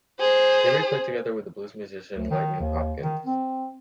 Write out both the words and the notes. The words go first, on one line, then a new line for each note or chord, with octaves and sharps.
Here he played together with the blues musician Lightnin' Hopkins.
G#4 C5
D2
D#3
D#2
D#3
C4